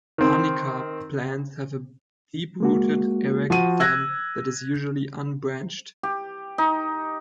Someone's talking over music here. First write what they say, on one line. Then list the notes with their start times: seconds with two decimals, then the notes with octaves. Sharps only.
"Arnica" plants have a deep-rooted, erect stem that is usually unbranched.
0.18 D#3 C4
2.60 G#3 A#3 F#4
3.50 F3 F#4 D#7
3.80 E6 F#6 G#6 A#6
6.03 G4
6.58 D#4